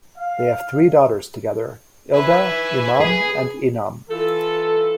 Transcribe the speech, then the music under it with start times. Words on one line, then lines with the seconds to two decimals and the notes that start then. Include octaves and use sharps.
They have three daughters together: Ilda, Iman and Inam.
0.17 F5
2.14 B4 E5 G#5 B5
3.01 G#4
4.10 E3 F4 A4